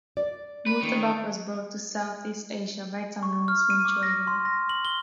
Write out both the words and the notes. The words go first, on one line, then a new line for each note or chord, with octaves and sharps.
Murtabak was brought to Southeast Asia by Tamil Muslim trader.
D5
B4
D#3 C#4
C#6
F6
D#7
D6
A#6
C6
A#6
F#7
G7